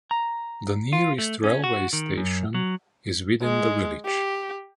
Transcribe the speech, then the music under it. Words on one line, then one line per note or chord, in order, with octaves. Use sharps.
The nearest railway station is within the village.
A#5
F4
A3
C#4
F#4
D#3
F#2
F#3
G#3
G4